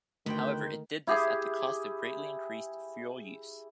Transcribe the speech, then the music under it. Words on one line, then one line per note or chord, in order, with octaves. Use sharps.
However, it did this at the cost of greatly increased fuel use.
D2 D#3 A3 B4 C5 G5
E4 G4 G#4